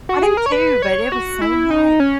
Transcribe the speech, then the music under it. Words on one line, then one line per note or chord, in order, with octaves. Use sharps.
I do too, but it was so much.
F#4
G#4
A#4
C#5
B4
C#5
F#4
E4
D#4
C#4